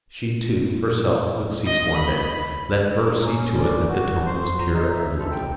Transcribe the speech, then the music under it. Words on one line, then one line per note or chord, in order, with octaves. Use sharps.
She, too, herself would cease one day, let her see to it that the tone was pure and lovely.
D#5
B5
A#4
C#4
D5
F#4
C5
A#5
D#4
E5
A4
G5